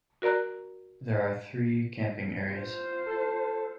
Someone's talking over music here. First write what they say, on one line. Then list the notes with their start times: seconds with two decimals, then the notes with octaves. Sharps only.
There are three camping areas.
0.22 F#4 A#4 D5 A#5 F#6
2.52 F4 C5
3.06 A4